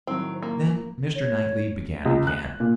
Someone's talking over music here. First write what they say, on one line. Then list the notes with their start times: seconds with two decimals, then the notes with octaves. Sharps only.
Then Mr. Knightley began again.
0.07 A2 D#3 F#3 C4
0.42 A#3
1.15 C#5
2.06 C#2
2.27 F#6
2.60 A#2